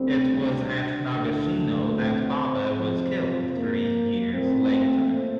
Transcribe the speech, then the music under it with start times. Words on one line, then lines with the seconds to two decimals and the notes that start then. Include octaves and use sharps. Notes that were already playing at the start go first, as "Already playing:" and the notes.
It was at Nagashino that Baba was killed, three years later.
Already playing: D2 D3 G3 C4
0.35 D4
1.16 D2 D3 A3
1.95 C4
2.75 F2 C3 F3
3.54 A#3
4.34 A#2 A3 C4